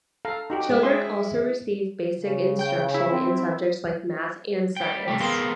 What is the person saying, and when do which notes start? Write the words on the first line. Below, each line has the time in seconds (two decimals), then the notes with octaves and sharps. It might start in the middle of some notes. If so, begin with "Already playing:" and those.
Children also receive basic instruction in subjects like math and science.
0.25 A4 F5 A#5
0.50 D#4 F#4 G4
0.69 G#3 E4
0.83 G#4 C5 C6
2.20 C#3
2.59 G5 G6
2.94 E4
3.11 C4
4.76 G3 G5
5.08 C2 C#3 A3 G4
5.20 B3 G#4 A#4 C5 F5 G5